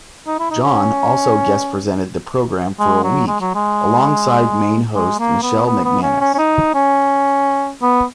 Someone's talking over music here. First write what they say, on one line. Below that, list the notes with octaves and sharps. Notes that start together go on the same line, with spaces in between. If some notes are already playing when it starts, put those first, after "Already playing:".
John also guest presented the programme for a week alongside main host Michelle McManus.
D#4
E4
D#4
C#4
G#3
F#3
G#3
F#3
G#3
G#3
A#3
B3
B3
B3
C#4
C#4
C#4
D#4
C#4
B3